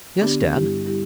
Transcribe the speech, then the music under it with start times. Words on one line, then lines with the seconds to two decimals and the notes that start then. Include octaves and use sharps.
"Yes, dad."
0.20 D3 B3 D4 G4
0.53 G2 G3 E4 G4
0.87 G3 E4 G4